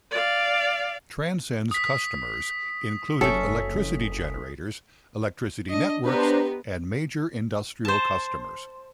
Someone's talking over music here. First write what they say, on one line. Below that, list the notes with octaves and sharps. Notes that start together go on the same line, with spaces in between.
Transend's customers included electricity generators, electricity networks and major industrial customers.
D5 F5
D#6 B6
F#1 C#4 A4 E5
D4 D#5
B3 D4 G4 B4 C5 A#5
C5 A5